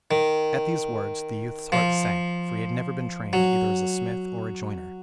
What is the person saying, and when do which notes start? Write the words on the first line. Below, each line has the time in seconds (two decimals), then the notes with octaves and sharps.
At these words the youth's heart sank, for he had never been trained either as a smith or a joiner.
0.11 D#3
1.72 F3
3.33 F#3